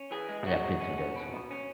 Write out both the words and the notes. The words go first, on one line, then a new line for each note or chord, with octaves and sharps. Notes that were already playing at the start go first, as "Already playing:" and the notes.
and I've been through that as well,
Already playing: C#4
E3 G#4
G#3
C#4 F#4
G#3
C#4
C#4
B2
B2
C#4